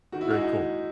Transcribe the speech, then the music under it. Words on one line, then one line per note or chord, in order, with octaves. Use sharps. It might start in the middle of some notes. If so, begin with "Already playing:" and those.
very cool.
D#3 F#4
E4
G#3 D#4 F#4
D#3